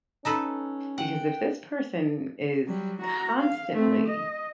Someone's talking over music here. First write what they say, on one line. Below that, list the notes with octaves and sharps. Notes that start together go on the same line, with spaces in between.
because if this person is constantly
C#4 D#4 A4 B4
F#5 G5
F#3 G3
F#4 A#5
F5
A3 C4
D#5